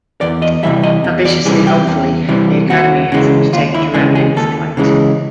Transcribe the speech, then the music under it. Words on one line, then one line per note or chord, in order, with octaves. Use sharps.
Ambitiously, hopefully, the Academy has undertaken to remedy this plight.
E2 D5
D#5
C3 E3 G3 E5
D#5
E2
D5
C3 E3 G3 G#4
G4
E2
C3 E3 G3
D#2 F#4
C#3 E3 G#3
D#2 F4
E4
C#3 E3 G#3 G#4
G#4
D#2 A4
C#3 E3 G#3